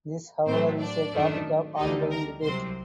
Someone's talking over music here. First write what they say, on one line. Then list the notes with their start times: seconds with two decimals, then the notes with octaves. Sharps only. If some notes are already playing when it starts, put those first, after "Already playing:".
This however is a topic of ongoing debate.
0.46 A2 F#3 A3 C4 C5
0.80 D4 D5
1.13 F#2 D#3 A3 D4
1.77 D2 D3 G3 D#4 D#5
2.10 A#4 A#5
2.43 C2 C3 F#3 C4 C5 C6